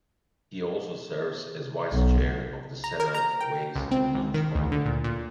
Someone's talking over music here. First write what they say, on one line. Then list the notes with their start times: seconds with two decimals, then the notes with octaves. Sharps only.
He also serves as vice chair of the Senate Ways and Means Committee.
1.92 B1
2.84 A#5
3.00 A#4
3.14 A#5
3.41 G5
3.75 C#2
3.91 C4
4.15 C#2
4.34 D#3
4.55 D2
4.72 D3
4.86 A#2
5.04 A#2